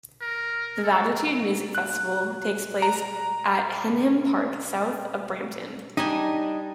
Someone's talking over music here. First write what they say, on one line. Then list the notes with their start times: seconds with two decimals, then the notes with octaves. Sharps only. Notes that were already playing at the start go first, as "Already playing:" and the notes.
The Latitude music festival takes place at Henham Park south of Brampton.
0.22 A#4
0.84 A4
1.75 F#6
2.82 A#5
5.97 G3 D4 D#4 G#5